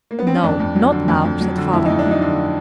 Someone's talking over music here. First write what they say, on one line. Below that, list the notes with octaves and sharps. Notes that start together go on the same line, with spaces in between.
"No, not now," said Father.
A#3
B3
C4
C#4
F2 D4
F2
F#3
D3
F2
F2
F#3
D3
F2 E4
F2 D#4
D4
F#3
D#4
D3